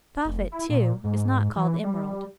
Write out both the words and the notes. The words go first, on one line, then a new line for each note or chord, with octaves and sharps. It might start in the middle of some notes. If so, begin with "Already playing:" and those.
The prophet, too, is not called Emerald.'
F1
E4
A#2
G#2
E3
G3